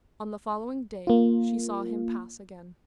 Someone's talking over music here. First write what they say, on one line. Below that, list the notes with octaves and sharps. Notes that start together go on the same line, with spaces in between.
On the following day, she saw him pass again.
A#3 F4